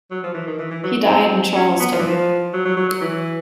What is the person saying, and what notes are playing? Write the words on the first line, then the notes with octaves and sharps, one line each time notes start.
He died in Charleston.
F#3
F3
E3
D#3
E3
E3
F#3
C4
C#4
B3
F3
E3
F3
F#3
F#3
F#3
F#3
E3